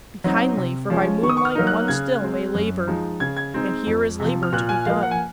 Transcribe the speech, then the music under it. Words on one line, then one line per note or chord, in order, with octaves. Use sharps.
Be kindly, for by moonlight one still may labor, and here is labor to be done.
F#3 C4 D#4
C3
F3 G#3 C#4
D#3 C#6
D#6
C#6
F6
F#3 A#3 D#4
F#6
C#3 G#6
G#3 C4
F#2
F3 G#3 D#4
C#3 G#6
G#6
G#3 C4 D#4
F2
C3 F3
F6
A#2 F#6
G#5
F3 A#3 F5
F#5
G#5